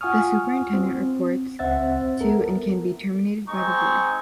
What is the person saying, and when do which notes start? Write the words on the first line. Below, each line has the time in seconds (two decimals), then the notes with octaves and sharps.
The Superintendent reports to and can be terminated by the Board.
0.01 F4 F#5 G#5 C#6 D#6 F6
0.74 C4
1.59 C#2 C4 C5 E5 F#5 A6
2.20 B3 A4 A#4
3.49 G#3 C4 D#4 C#6